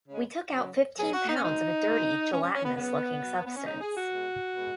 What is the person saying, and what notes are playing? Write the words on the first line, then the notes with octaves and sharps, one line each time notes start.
We took out fifteen pounds of a dirty, gelatinous looking substance.
C#3 G#3
C#3 F#3
B2 F#3 G#4
F#4
D#4
C#4
B2 G#3 D#4
B2 G#3
B2 G#3 C#4
C#4
C#4
B3
C#3 F#3 B3
B2 F#3
B3
C#4
C#3 G#3 D#4
G#4
F#4
B2 G#3
B2 G#3